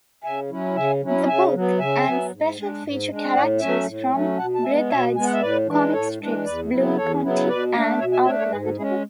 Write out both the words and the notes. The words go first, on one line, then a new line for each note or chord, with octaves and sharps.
The book and special feature characters from Breathed's comic strips "Bloom County" and "Outland".
C#3 E5 G#5
F#3 C#4 E4
C#3 E5 G#5
F#3 C#4 E4
C#3 E5 G#5
F#3 B3
C#3 E5 G#5
F#3 B3
G#2
G#3 D4
G#2
G#3 D4
A2 D5 F#5
F#3 A3 C#4 E5 G#5
A2
F#3 A3 C#4
B2 F#5 A5
A5
G#3 E5 G#5
B3
B2 C#5 E5
G#3 B3 G#5
F#5
E5
A2 B4 D5
E3 G#3 D4
A2 A4 C#5
E3 G#3 D4
E2 B4 D5
C#3 F#3 B3 E4
E2 A4 C#5
C#3 F#3 B3 E4
B2 B4 D5
A3 D4
B2 C#5 E5
E5 G#5
A3 D4 C#5 E5
A4 C#5
G#2 G#4 B4
F#4 A4
G#3 C#4 E4 G#4
F#4